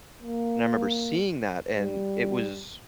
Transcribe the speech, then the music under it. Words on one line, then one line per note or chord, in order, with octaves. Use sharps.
And I remember seeing that, and it was,
A#3
G3